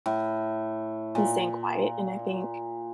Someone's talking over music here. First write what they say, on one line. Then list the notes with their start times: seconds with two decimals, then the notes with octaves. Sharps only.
and staying quiet, and I think,
0.06 A2
1.15 A#2